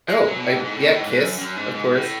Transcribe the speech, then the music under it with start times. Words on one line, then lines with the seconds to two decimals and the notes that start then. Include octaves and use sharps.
Oh, I yeah, Kiss, of course.
0.09 G#3
0.26 F#3
0.37 B2
0.45 A2
0.54 G#2
0.64 G#2
0.73 A2
0.82 B2
0.92 A2
1.00 G#2
1.10 G#2
1.19 F#2
1.38 F#2
1.57 G#2
1.74 G#2
1.94 A2